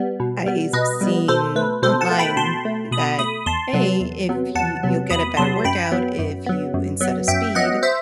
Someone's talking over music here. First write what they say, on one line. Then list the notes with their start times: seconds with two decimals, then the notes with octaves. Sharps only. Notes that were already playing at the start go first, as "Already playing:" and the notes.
I've seen online that, "Hey, if you you'll get a better workout, if you- instead of speed-
Already playing: G3 B3
0.20 B2
0.46 G3 B3
0.73 B2 B4 D#5
1.01 G3 B3
1.28 B2 A4 C5
1.56 A3 B4
1.82 B2 A4 C5
2.01 F#5 A5
2.11 A3
2.19 G5 B5
2.37 B2 A5 C6
2.65 A3
2.91 B2 B5 D#6
3.19 A3 B5 D#6
3.46 E2 A5 C6
3.73 C3 F#3 B3
4.00 E2
4.29 C3 F#3 B3
4.55 E2 F#5 A5
4.83 C3 F#3 B3
5.10 E2 B5 D#6
5.37 C3 F#3 B3 A5 C6
5.64 F#2 G5 B5
5.92 F#3 B3
6.19 F#2
6.46 F#3 B3
6.74 F#2
7.01 F#3 B3
7.28 F#2 E5 G5
7.55 F#3 B3 D#5 F#5
7.83 C5 E5